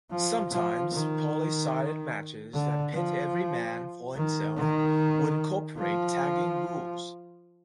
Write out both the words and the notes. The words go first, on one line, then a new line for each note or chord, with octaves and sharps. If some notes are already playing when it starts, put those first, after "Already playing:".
Sometimes, poly-sided matches that pit every man for himself will incorporate tagging rules.
F3
F3
D#3
D3
F3
D#3
D#3
F3